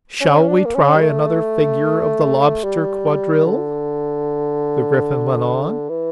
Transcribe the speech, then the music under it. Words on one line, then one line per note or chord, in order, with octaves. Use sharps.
'Shall we try another figure of the Lobster Quadrille?' the Gryphon went on.
C#4
D4
A#3
C#4
G3
A3
G3
D3
E3